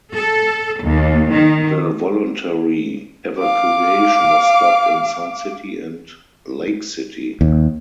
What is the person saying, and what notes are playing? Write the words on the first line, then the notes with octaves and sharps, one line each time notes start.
The voluntary evacuation was stopped in Sun City and Lake City.
A4
D#2
D#3
F5 D6
D#2